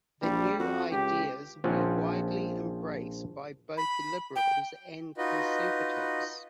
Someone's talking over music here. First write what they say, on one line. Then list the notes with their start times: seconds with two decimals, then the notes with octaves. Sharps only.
The new ideas were widely embraced by both liberals and conservatives.
0.22 A#1 G3
0.59 F2 F#4
0.91 C#2 G4
1.64 A#1 F3 C4 C#4 F#5
3.77 B5
4.36 G5
5.18 D#4 F4 F#4 B4 D#5